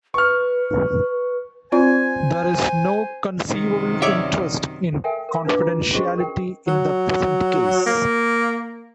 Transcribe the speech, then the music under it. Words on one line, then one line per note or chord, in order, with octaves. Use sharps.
There is no conceivable interest in confidentiality in the present case.
B4 C#6 F6
C4 F4 C5 D5 G#5
F#2 C3 D#3
C#5 D5 E5
A4 A#4 E5 F5 G5 G#5
A#4 F5
D4 D#4 B4 F5 D6
F4
C#4 F#4 G#4 C5 D#5 C#6
A#4 G5
F#3
A#3